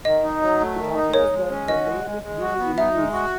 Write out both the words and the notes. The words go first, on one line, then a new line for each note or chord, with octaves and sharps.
It appears that the name is being re-used.
D#3 D#5
D#4
F#3
A3
D#3
D#4
G#3 C#5
G#3
C#4
F#4 D#5
G#3
G#3
G#3
F#4
B3
D#4 E5
G#3
F#4